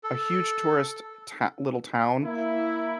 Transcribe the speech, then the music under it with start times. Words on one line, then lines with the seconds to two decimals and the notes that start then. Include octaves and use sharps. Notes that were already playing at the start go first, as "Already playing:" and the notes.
a huge tourist, eh, tow little town,
0.04 A4
2.23 A#3 E4